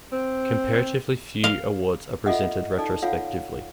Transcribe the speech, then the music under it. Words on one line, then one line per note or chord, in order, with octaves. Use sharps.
Comparatively few awards are presented retrospectively.
C4
F5
F4 A4 D#5 E5 F#5
D#4 A4 D5
F4 A4 C#5 F5 F#5